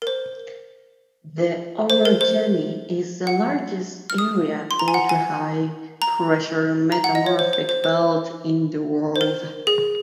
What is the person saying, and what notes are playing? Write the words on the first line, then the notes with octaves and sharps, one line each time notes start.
The orogeny is the largest area ultrahigh pressure metamorphic belt in the world.
A#4
C5
C5
A#4
C5
F#5
F6
D#6
C6
A#5
G#5
F#5
G#5
A#5
A#5
F#5
D#5
C#5
C5
C5
C5
C5
C5
A#4
G#4